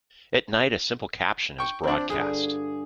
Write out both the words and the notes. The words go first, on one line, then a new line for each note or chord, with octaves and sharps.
At night a simple caption is broadcast.
G5 C#6
F3 C4 D4
G2 D3 F4 G#4